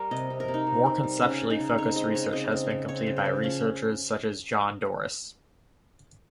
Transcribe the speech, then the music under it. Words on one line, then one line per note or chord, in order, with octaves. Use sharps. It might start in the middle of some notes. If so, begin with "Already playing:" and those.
More conceptually focused research has been completed by researchers such as John Doris.
Already playing: G3 A#4
C3 D#5
C3
A#4
C3
D#4
C3
C4
G3
C#3 C#4
C#3
D#4
C#3
C4 C#5
G#3 D#5
C#3 C#5
C4 D#5
C#3
C#3
C4 C#5
C#3
C5
C#3
F3 C#4